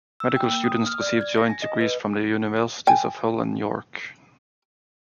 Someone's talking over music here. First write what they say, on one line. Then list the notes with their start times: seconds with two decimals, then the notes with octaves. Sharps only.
Medical students receive joint degrees from the universities of Hull and York.
0.20 E6
0.36 G5
0.50 A#3
0.64 D#6
0.86 F6
1.01 D5
1.21 G#6
1.38 A#6
1.50 G#5
1.62 D#5
1.81 B4
2.87 G5 G#5